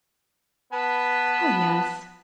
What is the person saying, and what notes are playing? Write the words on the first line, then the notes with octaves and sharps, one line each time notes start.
Oh, yes.
B3 B4 A5